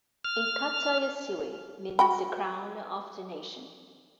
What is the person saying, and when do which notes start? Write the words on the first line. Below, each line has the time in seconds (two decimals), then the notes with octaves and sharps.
"Inkatha YeSizwe" means "the crown of the nation".
0.25 F6
1.99 F#4 G5 B5